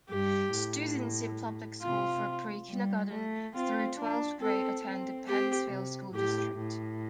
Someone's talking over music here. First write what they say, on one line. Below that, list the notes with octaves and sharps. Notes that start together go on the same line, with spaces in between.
Students in public school for pre-kindergarten through twelfth grade attend the Pennsville School District.
G2 G4
A2
C3 F4
G3
A3
C4 F4
D4
C4 A4
C4
C4 G4
C3
A2 G4
A2